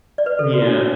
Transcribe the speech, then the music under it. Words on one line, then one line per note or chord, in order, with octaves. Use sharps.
Mm, yeah.
D5
B4
A4
F#4
E4
D4